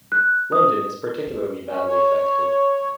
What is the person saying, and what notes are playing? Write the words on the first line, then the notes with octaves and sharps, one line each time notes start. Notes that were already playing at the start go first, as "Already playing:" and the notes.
London is particularly badly affected.
F#6
D#6
C#4
C#5